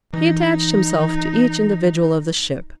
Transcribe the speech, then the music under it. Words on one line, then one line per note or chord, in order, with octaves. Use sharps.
He attached himself to each individual of the ship.
E3 D#4